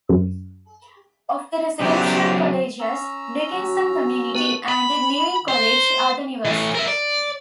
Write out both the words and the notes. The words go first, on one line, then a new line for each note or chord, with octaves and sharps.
Of the residential colleges, Dickinson Community and Newing College are the newest.
F#2
C#3 F#3 B3 E4 G4 C5 D5
C#4 A#5 E6
F#3 F#4
B3 E4 G4 B4 E5 A5 C#6
B5
C5
A2 E3
A#4 E5
D5